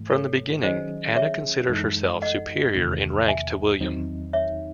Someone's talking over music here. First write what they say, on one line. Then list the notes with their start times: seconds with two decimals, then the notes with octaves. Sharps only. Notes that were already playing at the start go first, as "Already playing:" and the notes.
From the beginning, Anna considered herself superior in rank to William.
Already playing: G#2 E3 A3
0.10 A4 C#5
0.63 D#3 F#3 C#4 G#4 C5 D#5
1.16 C#5 E5
1.69 F#2 E3 G#3 D#4 A4
2.22 D#5 F#5
2.75 E2 C3 D#3 A3
3.28 E5 G#5
3.80 E2 D#3 F#3 C4 D#4
4.33 C#5 E5